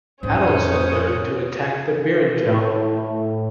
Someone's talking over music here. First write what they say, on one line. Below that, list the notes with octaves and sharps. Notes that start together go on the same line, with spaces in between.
Adults are known to attack brinjal.
F2 A2 C#4 C5 D#6
A2